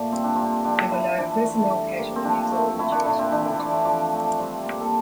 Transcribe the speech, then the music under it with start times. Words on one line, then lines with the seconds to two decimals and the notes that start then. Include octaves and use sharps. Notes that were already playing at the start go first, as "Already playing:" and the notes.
There were no personnel casualties or injuries reported.
Already playing: A#2 A3 D5
0.12 G3 C4
0.24 D4
0.35 A#3 C4
0.65 F3 D4
0.91 A#3 E4
1.18 E3 D4
1.45 A3
1.72 G3
1.99 A#3
2.16 C4
2.25 F3 D4
2.51 A3
2.79 A3 E4
2.92 D4
3.05 A#2 D4
3.19 C4
3.31 E3 D4
3.45 E4
3.59 A3 D5
3.72 C5
3.85 F3 D5
4.13 A3
4.38 G3 C5
4.66 A#3
4.81 A4